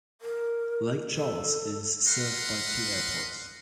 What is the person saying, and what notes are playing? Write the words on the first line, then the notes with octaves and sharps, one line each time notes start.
Lake Charles is served by two airports.
A#4
A4
B4 D#5 F5 F#5 A#5 C6